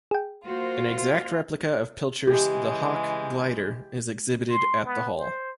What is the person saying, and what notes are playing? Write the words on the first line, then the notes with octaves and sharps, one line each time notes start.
An exact replica of Pilcher's "The Hawk" glider is exhibited at the hall.
G#4 G5
A#3 F4 F#4 C5
C#3 E3 G#3 G4
C6
B3
C5